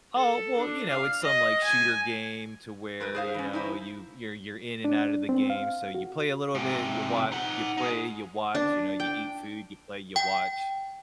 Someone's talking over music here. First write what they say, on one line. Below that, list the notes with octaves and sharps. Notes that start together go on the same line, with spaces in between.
Oh, well, you know, it's some, like, shooter game to where, you know, you you're you're in and outta the game, so you play a little bit, you watch, you play, you watch, you know, you eat food, you play, you watch.
A4
D4
F5
D#5
G#5
G#3 A#4 B4
G#4 C5 F5
E3 C#4
D#4 E4 C5
D4
C4
F5
F#4
G#2 C3
D#4 F#5
D#4 G#4
D4
G5
G5